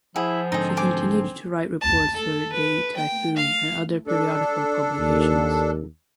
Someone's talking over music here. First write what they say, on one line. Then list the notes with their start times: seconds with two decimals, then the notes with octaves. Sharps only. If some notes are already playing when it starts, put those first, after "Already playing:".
She continued to write reports for De Typhoon and other periodical publications.
0.16 F3 E4 G#4 F#5 B5
0.52 G#2 D3 C4 D#4 G#4 A4
0.77 G#5 D6
1.82 A5
2.16 A4
2.52 B4
2.97 G5
3.37 F5
4.07 D4 A4
5.00 D#2